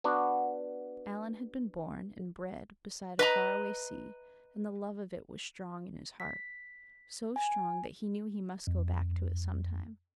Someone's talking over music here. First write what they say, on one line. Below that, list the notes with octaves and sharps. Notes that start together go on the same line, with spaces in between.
Alan had been born and bred beside a faraway sea and the love of it was strong in his heart--so strong that he knew he must go back to it sometime.
B3 D4 F#4
B4 D#5 A#5
B6
G#5
F2